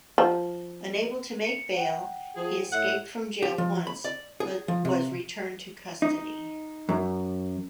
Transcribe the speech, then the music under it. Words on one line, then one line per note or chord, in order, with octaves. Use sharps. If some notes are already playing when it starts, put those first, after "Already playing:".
Unable to make bail, he escaped from jail once, but was returned to custody.
F3
C#7
F#5 G5
F3 G#4
A2 E5 F#5
G4
F3
B5
D5
G#4
F3
C3
D#4
F#2